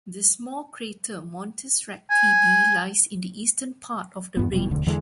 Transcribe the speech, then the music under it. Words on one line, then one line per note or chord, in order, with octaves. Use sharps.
The small crater Montes Recti B lies in the eastern part of the range.
G#5
E2 G2 B3
F1 B2 G3
E1 D2 D3
E2 D3 E3 G#3